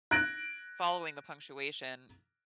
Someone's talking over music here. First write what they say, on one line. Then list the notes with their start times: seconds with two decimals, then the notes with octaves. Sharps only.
following the punctuation,
0.11 F#6 G#6 A#6 D7 F#7